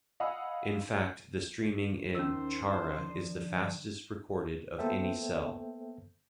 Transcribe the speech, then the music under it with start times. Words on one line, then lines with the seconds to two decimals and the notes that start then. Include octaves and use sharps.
In fact the streaming in "Chara" is the fastest recorded of any cell.
0.20 D#5 F5 F#5 G#5 B5 E6
2.15 D#2 C#4 C5 E6
2.97 D3 F3
4.78 A#3 B3 A4 C5 E5 G5